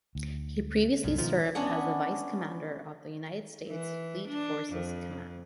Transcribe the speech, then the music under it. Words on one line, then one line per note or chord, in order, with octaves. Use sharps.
He previously served as the Vice Commander of the United States Fleet Forces Command.
D2
C2 F#2
B2 D#3 F3 F4
B3 C#4 D4 F#5
E3
D4
F2